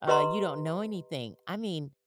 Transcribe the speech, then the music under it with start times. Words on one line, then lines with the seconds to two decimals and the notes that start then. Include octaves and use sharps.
uh, you don't know anything. I mean,
0.08 G4 B4 D#5 A#5 C6